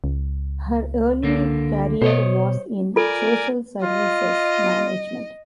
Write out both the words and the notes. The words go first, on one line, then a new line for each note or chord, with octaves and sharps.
Her early career was in social services management.
C#2
D3 A#3
B2 C5 C#5 D#5
F4 A4 A#4 D5 G#5
F4 D#5